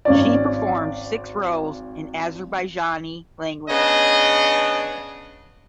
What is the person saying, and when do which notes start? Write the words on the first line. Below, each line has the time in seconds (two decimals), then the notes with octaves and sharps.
She performed six roles in Azerbaijani language.
0.05 G#1 C#4 D5
3.70 C#3 B3 D4 D#5